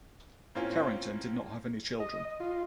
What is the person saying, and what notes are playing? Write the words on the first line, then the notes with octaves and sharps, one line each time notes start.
Carrington did not have any children.
A2 A#3 C4 C#4 F4
D#5
F4